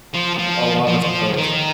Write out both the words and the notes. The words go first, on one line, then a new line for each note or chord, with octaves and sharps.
like, a lotta stuff
F3
F3
F3
F3
D#3